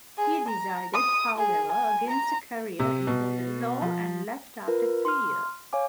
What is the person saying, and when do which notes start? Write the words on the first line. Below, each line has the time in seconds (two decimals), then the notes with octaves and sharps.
He decided, however, against a career in the law and left after three years.
0.18 G#4
0.48 A#5
0.94 D#6
1.38 G#4
1.72 G#5
2.10 A#5
2.79 C3
3.07 B2
3.81 F3
4.68 F4 A#4 B4
5.05 C6 F6
5.73 C#5 F5 G#5 D6